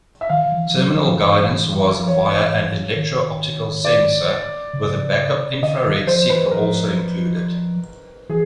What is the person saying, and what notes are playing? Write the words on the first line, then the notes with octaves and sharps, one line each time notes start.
Terminal guidance was via an electro-optical sensor, with a backup infrared seeker also included.
E5
D#3 F5
E3
F#3
F3
E3
F3
E3 C#5
D#3
D5
C#3
D3 D#5
D#3
F3 C5
E3 B4
F3 A#4
E3 G#4